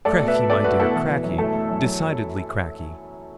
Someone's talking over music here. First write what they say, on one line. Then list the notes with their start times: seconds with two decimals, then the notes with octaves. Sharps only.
Cracky, my dear, cracky--decidedly cracky!'
0.05 A3 A4 D5
0.20 B2
0.28 B4 E5
0.35 B2
0.50 A3 A4 D5
0.64 A3 F#4 B4
0.80 B2 E4 A4
0.95 E3
1.09 E3
1.24 F#2
1.38 A3 E4 A4
1.53 A3
1.69 F#2
1.84 F#3